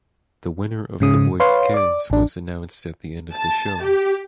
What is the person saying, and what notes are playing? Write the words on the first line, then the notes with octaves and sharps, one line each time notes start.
The winner of The Voice Kids was announced at the end of the show.
G#2 C#3 D#6
B4 C#5 F5 C6
D5 D6
A1 D4
A5
G4